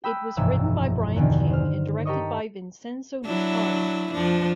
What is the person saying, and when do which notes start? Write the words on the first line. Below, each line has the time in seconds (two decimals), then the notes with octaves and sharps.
It was written by Brian King and directed by Vincenzo Natali.
0.04 G5 B5 D#6 E6 F#6
0.37 F1 B1 G2 E3 E6
1.16 E2 B2 D3 D#3
1.50 C5 F6
2.05 G4 A4 A#4 D#5 C#6 D#6
3.25 F#3 D4 E4
4.12 F2 F3 D4